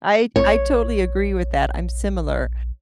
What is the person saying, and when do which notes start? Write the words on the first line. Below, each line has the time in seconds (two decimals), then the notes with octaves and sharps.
I I totally agree with that, I'm similar,
0.36 A#1 C#5